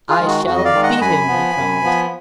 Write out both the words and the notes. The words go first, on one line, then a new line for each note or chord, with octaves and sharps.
"I shall beat him!" he cried.
F4 G#4
D#3 G#3
F#4
F2 F#4
D#5
D5 F5
D#3 G#3
D#5 F#5
F#2 G#5 B5
F3 B3
F#2
F3 B3